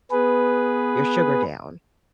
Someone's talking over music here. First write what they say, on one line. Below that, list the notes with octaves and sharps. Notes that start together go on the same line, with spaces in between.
your sugar down.
B3 G#4 B4